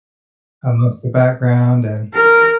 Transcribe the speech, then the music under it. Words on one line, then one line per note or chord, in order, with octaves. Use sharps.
amongst the background, and
A#4